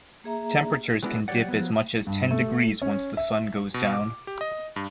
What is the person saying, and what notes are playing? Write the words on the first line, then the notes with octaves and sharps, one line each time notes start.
Temperatures can dip as much as ten degrees once the sun goes down.
A#3 G#4 E5 A#5
F#3 G#3 B3 D4 E4 F#4
F#3 G4 A4 C#5 D5 F#5
F3 F#3 B3
G2
A3
C#4
E5
B2
D6
G4
D#5
G2